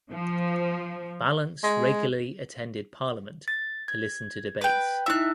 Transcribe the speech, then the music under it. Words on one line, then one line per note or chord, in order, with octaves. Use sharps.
Ballance regularly attended Parliament to listen to debates.
F3
G#3
A6
G#6
B4 G5
D#4 E4 E5 E6 F#6